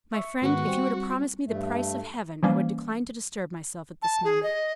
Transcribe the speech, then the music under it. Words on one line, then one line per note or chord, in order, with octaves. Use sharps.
"My friend, if you were to promise me the price of heaven, I would decline to disturb myself at this moment."
E5 C#6
G#2 D#3 B3 F#4
G3 C4
G2 A3
E3 F3 G3 A#3 C#4
A5
G#4
D#5